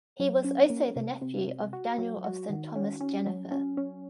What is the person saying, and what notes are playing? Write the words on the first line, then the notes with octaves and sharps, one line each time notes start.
He was also the nephew of Daniel of Saint Thomas Jenifer.
F#3
C#4
A#3
C3
C3
C3
F#4
F#3
F#4
D#3
C#4
C#4
F#3
C#4
C#4